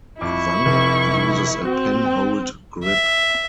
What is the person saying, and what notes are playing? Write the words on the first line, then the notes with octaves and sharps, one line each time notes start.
Wang uses a penhold grip.
F2 E4 C#6 D6
F1 C3
C4 F#4
G5
E5